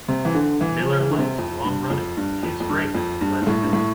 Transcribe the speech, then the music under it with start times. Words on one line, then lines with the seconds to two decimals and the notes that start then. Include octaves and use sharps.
Miller Lite's long-running Tastes Great!...Less Filling!
0.08 C3
0.25 E3
0.34 D3
0.61 E3
0.80 F3
1.00 E3
1.10 D3
1.18 C3
1.38 F2
1.65 G2
1.90 F2
2.17 G2
2.43 F2
2.60 F2
2.69 G2
2.95 F2
3.21 G2
3.42 G2
3.47 A2
3.63 G2
3.73 A2